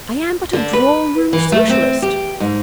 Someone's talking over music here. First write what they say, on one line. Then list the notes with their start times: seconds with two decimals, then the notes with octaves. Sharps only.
I am but a drawing-room Socialist.
0.53 D3
0.73 B4
1.33 E3
1.52 A3
1.69 C4
2.02 G4
2.40 G#2